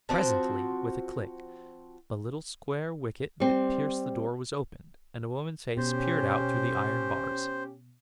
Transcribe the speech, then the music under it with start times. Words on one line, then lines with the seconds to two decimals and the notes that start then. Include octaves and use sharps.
Presently, with a click, a little square wicket that pierced the door was opened, and a woman's face peered out through the iron bars.
0.09 F3 C4 F#4 C5
3.40 G3 C4
5.77 B2 C#4 G4 C5